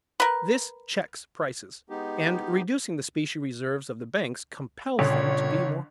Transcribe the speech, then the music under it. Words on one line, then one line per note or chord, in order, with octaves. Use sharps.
This checks prices, and, reducing the specie reserves of the banks, compels them to be more cautious.
A#4 B4
G#3 B3 D#4 G4
G1 A#2 C#3 C#5